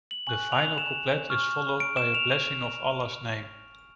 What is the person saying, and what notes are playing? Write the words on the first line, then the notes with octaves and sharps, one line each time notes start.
The final couplet is followed by a blessing of Allah's name.
F#7
G#5 C#6 F#6 F#7
F7
E7
C#6 F6
D7
E7
F7